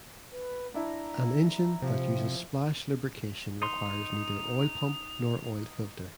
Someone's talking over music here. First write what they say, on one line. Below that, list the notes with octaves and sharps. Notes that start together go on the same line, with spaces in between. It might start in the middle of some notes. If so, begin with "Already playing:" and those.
An engine that uses splash lubrication requires neither oil pump nor oil filter.
B4
D4 E4 A#5
C3 F3
D#4 C6 F7